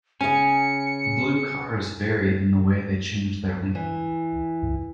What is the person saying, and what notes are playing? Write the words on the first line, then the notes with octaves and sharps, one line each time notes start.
Blue cars vary in the way they change their lane.
C#3 C#4 G#5 C#7
E3